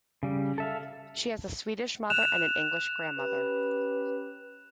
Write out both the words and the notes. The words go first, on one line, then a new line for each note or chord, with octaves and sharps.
She has a Swedish mother and an English grandmother.
C#3 G3
A4 E5 F5
F#6 E7 F7
C#4 G4 B4